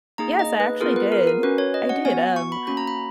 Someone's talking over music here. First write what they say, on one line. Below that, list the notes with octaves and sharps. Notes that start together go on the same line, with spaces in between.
Yes, I actually did. I did, um,
A#3 D#4 G#4 A#5
D#5
B4
B3 F4 G#4 A#4
B4
A#4
A#4
C#4 F#4 B4
C#5
D#5
F#5
B3 F#4 G#5
C#6
B5
A#3 C#4 F#4 B5
A#5
B5